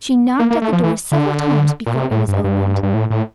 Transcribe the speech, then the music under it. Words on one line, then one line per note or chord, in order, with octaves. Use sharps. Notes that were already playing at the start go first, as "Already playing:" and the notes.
She knocked at the door several times before it was opened.
A#3
A#3
A3
F3
E3
D3
A#2
C3
A2
G2
G2
G2
A2
A2